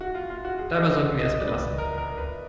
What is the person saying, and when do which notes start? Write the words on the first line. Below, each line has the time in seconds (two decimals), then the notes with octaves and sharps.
Dabei sollten wir es belassen.
0.01 F#4
0.15 F4
0.30 F4
0.45 F#4
0.59 G#4
0.75 D#5
0.89 D#5
1.19 D#5
1.31 D#5
1.40 D5
1.48 B4
1.78 A#4
1.98 A#4
2.18 B4